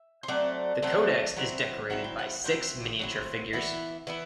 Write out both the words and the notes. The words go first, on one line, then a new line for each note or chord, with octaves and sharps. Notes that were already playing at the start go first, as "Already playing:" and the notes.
The codex is decorated by six miniature figures.
Already playing: E5
C5
F#3 A3 C4 D5
F#3 A3 C4
F#3 C4 E4
F#3 C4 E4 F#5
G5
F#5
F#3 C4 E4 G5
F#3 C4 E4
E3 B3 E4
E3 B3 E4